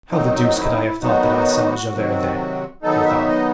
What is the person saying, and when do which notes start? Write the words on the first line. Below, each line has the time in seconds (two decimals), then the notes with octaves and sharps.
"How the deuce could I have thought that I saw Javert there?" he thought.
0.11 D#3 F#3 C4 D#4
0.50 F#4
0.56 E4
1.01 D#3 F#3 B3 D#4 F#4
1.92 C3 D#3 F#3 C4
2.82 D#3 F#3 B3 D#4 A4
3.05 E5
3.28 D#5